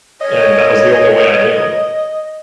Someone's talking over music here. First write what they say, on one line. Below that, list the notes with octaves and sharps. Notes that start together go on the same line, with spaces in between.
and that was the only way I knew.
C#5 D#5